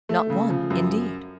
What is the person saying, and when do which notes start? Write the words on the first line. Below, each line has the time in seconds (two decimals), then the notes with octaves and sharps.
"Not one, indeed."
0.09 A3
0.30 C#3
0.50 F3
0.70 F#2